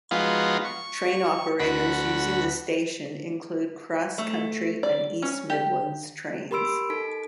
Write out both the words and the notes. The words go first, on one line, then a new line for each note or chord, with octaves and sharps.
Train operators using the station include CrossCountry and East Midlands Trains.
F3 G#3 B3 D#4 F4 F#4
C#6
D2 F#4 B5
A3
D5
C#4
G4
G4 A#4 B5 C6 E6 D7
D#4 A4 B6 D7